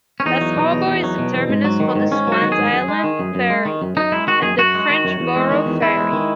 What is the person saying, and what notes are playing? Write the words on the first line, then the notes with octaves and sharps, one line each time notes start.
Bass Harbor is the terminus for the Swan's Island ferry and the Frenchboro ferry.
C#4
E2 D#4
F#3
B2
E2
E2
F#3
B2
E2
G#2
F#3
D#3
G#2
G#2 C#4
F#3 F#4
D#3
G#4
G#2
F#2
G#3
D#3
F#2
F#2
G#3
D#3
F#2
F#2 D#4
G#3 E4
D#3 F#4
F#2 G#4
F#2 F#4
G#3
D#3
F#2
E2
G#3
D#3
E2
E2 E4
G#3
D#3